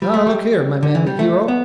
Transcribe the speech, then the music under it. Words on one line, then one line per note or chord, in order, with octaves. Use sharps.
Now, look here, my manly hero.
G3
A3
G3
D3
E3
G3
A3
B3